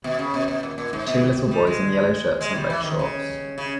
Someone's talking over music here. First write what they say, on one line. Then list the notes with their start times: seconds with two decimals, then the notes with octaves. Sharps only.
Two little boys in yellow shirts and red shorts.
0.04 B2
0.19 C#3
0.34 B2
0.48 B2
0.63 A#2
0.78 A#2
0.93 G#2
1.07 B2
1.51 G3
1.67 G#3
2.41 G#3
2.55 G3
2.70 E3
2.84 D#3
2.99 C#3
3.58 C#3